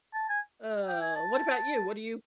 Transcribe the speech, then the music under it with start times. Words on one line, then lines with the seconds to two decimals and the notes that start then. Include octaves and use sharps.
Uh, what about you? What do you
0.14 A5
0.29 G#5
0.87 G5
1.01 G#5
1.16 A5